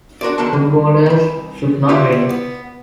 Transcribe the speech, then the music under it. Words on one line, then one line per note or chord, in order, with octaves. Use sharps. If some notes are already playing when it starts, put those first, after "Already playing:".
Footballers should not drink.
D4 F#4 A#4 C5 D5
D3 D#3 F#4 A#4 C5 A5
G3
C2 B5
G3 A3 E4 F4 G4 B4
B3